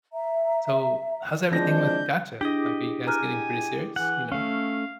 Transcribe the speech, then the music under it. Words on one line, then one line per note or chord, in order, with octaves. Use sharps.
"So, how's everything with Katya, like, are you guys getting pretty serious?" You know,
E5 A#5
E3 F3 G#3 C4 D4 G6 A#6
D4 E4 G4 G#4 D#5 D6
G#5 A#5 F6 F#6
E3 F#5
A3 C#4 F5